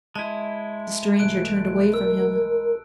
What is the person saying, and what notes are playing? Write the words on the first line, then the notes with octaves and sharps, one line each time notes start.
The stranger turned away from him.
G#3 E4 A5
B1 E3 A3 F#6 D7
A#4 E6